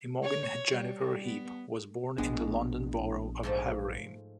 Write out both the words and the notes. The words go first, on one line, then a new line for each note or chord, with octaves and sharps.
Imogen Jennifer Heap was born in the London Borough of Havering.
C#5
G3
B3
A#1 G#3 B3 D4
G#2 F3 A3